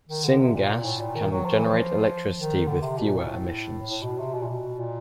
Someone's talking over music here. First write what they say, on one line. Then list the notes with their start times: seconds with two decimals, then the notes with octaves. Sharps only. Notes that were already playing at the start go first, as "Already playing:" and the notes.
Syngas can generate electricity with fewer emissions.
0.09 D#3
0.24 D3
0.39 C3
0.55 A#2
0.85 A2
1.00 A#2
1.15 D#3
1.31 F#3
1.45 F3
1.56 E3
1.66 F3
2.37 D#3
2.67 D3
2.82 C3
2.98 B2
3.08 A#2
3.18 A2
3.88 A2
4.04 B2
4.19 C3
4.34 B2
4.42 A#2
4.49 B2
4.79 A#2